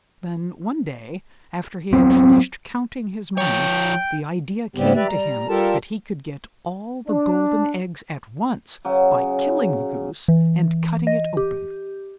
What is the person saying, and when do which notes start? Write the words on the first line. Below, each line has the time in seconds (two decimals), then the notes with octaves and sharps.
Then one day, after he had finished counting his money, the idea came to him that he could get all the golden eggs at once by killing the Goose and cutting it open.
1.93 F#3 B3 C4
3.38 F3 C#5 G5
4.75 G#2 C#3 G3 B3 C4 G4
4.95 G4 B4 D5 E5
5.08 G3 A#5
5.48 G3 F4 G4 A4 A#4 A5
7.08 D4
8.85 C#3 F#3
10.28 E3
11.07 D#5
11.37 G4